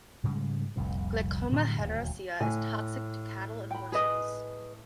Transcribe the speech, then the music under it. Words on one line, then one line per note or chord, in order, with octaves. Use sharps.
"Glechoma hederacea" is toxic to cattle and horses.
G#2 C#3 G3 G#3
F1 C2 F2 A#2
A2 D3 F#3 G3
D#1 D2
A2 G#5
G5 B5
G#4 B4 D#5